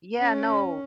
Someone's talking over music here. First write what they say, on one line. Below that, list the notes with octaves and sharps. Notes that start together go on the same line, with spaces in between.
yeah, no.
C#4